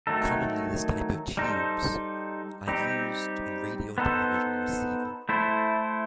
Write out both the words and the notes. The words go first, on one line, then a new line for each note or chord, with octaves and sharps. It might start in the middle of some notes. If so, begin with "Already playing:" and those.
Commonly this type of tubes are used in radio and television receiver.
D#3 F#3 A3 D#4 A4
G3 D#4 A4 C5
G3 C4 D#4 G4
B3 D#4 A4 C5
A3 E4 A4 C5